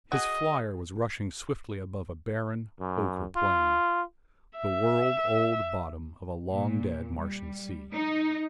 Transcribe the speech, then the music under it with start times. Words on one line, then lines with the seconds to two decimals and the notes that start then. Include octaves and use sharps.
His flier was rushing swiftly above a barren, ochre plain--the world-old bottom of a long-dead Martian sea.
0.12 F#4 G#4 D#5
2.80 F#2
3.36 F4
4.57 E5
6.52 A#2
7.16 G3
7.92 D#4